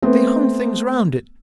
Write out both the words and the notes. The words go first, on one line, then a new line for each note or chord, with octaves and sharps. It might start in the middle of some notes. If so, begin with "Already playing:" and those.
They hung things round it.
A3 B3 C4